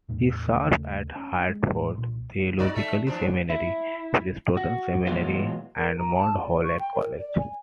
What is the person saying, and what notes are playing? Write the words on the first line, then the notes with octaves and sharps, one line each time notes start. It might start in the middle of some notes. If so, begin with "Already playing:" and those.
He served at Hartford Theological Seminary, Princeton Seminary, and Mount Holyoke College.
E2 A2
D#2 C#3 A3 A#3
C#4
G#3
A1 A2 G#3
C2 A#2
D#4 F#4 D5
A3 A4 E5
D#2 F3 D4
E4
F#4
A#2 E3 F#3 G#3 B3 F4
A#4
A#5
A5
D5
C#6
G5
A#4
D5
G#5